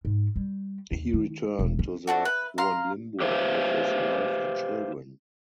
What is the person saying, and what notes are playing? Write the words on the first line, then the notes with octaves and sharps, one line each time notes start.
He returned to the Hohenlimburg with his wife and children.
G#2
G3
D#2
D#3
E1
C#4
A3 D4 F#4
B4
F5 A#5 C6 F6
G4 B4 C5 E5 F5